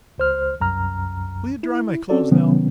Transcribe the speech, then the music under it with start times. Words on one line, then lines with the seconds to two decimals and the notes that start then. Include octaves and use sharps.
Will you dry my clothes now?
0.18 C#2 C5 F6
0.61 C2 F#2 A#5 F6
1.63 E4
2.10 C4 C#4 F#4 A4 D5
2.31 C3 D#3 F#3 B3 C#4